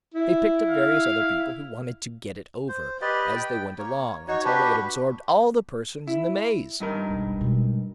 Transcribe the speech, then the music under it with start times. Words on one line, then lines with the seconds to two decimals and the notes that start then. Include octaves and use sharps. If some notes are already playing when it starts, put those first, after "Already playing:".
They picked up various other people who wanted to get it over, as they went along, until they had absorbed all the persons in the maze.
0.14 E4
0.70 F5
2.68 C5
3.01 G4 B4 D5 D#5
3.36 G5
3.79 A#3 C#5
4.28 D#4 F#4 C#5
4.45 D4 F#4 G4 B4
6.07 E4
6.80 G2 D#4 A#4
7.08 E1 B1
7.41 B2 G#3